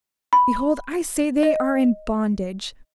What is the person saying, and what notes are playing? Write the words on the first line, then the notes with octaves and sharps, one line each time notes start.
Behold, I say they are in bondage.
B5
D#5